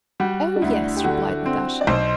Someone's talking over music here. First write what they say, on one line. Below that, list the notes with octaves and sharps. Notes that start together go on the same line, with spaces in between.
"Oh, yes," replied Natasha.
G3 F#4
D4
D2 E4
G4
D3 F#4
C4
D5
B1 C5